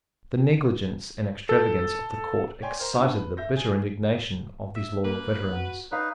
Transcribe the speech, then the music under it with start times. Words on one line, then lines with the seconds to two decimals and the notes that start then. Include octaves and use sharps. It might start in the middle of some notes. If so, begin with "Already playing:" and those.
The negligence and extravagance of the court excited the bitter indignation of these loyal veterans.
1.49 A4
2.62 C#5 D5 G5 G#5 C6
2.80 A#4 C5 A#5
2.93 G2 B2 B3
3.16 B4
3.37 E5 G6 A#6
3.56 G#4
4.75 E5
5.04 A#3 A#4 B4
5.52 F#4
5.92 D#4 B4 C#5 F5